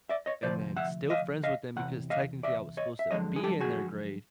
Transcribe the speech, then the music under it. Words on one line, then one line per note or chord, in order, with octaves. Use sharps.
and then still friends with them because technically I was supposed to be in their grade,
D5 E5
C#5 D#5
D2 C3 F3 C5 D5
E5 F#5
D#5 F5
D#5 F5
E2 C3 F#5
D#5 F5
D5 E5
C#5 D#5
E5
F#2 D3 F3 G#3 C#5 D#5
G#4
G4 A4
F#4 G#4